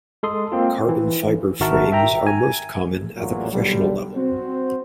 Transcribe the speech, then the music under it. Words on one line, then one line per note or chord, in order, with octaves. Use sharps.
Carbon fiber frames are most common at the professional level.
G#3 A4 C6 D#6
A#3 C4 F4
E3
G#1 D#3 F#4 A#4 E5 A5
E5 G5 A#5
G#5
A1 E2 A#2 F#3
B1 D3 G3
C4 F#4 C5